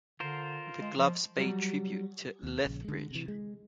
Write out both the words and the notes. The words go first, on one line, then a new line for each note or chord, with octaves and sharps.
The gloves pay tribute to Lethbridge.
D3 F4 A#4 C5
G#3
F3
F#3 G3
D#2
A#1 C#3
D3 G#3
C3 E3
G#3